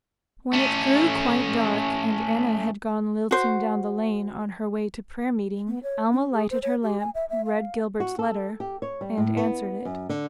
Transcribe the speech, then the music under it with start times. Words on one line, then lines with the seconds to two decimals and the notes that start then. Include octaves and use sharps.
When it grew quite dark and Anna had gone lilting down the lane on her way to prayer meeting, Alma lighted her lamp, read Gilbert's letter--and answered it.
0.53 A3 C#4
3.31 F#4 C5
5.67 B3
5.83 C#5
6.12 C#4
6.32 G#4
6.50 C5
6.62 C#5
6.83 G4
7.00 G#5
7.15 E5
7.30 E5
7.45 F5
8.00 F#4
8.19 A4
8.60 G4
8.82 C#5
9.01 G3
9.17 A2
9.37 B3
9.85 F#2
10.09 D3